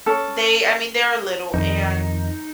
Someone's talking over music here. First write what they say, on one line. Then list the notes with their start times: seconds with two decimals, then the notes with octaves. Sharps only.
they I mean, they're little and
0.06 C#4 A4
1.54 F2 D#3 D#4